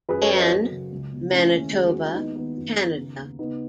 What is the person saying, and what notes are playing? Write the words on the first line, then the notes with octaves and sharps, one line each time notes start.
Anne, Manitoba, Canada.
F#2 G#4 B4
A4 C#5
F#3
B4 D#5
F#2
C#3
C#2
B2
A3 C#4 E4
D#2
G#3 G#4
F#4
G#3
E4
D#2 B3 D#4
D#3 B3 D#4
F#2
D#3
C#3
D#2
C#3 B3 D#4